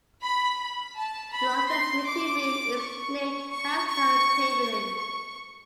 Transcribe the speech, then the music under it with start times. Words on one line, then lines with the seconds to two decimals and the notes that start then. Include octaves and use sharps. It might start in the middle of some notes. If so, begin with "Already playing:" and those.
The largest meeting room is named Health Plan Pavilion.
0.23 B5
0.59 B5
0.96 A5
1.33 B5
1.68 C6
2.06 D6
2.78 C#6
3.52 C#6
3.88 C#6
4.61 C#6
4.98 C#6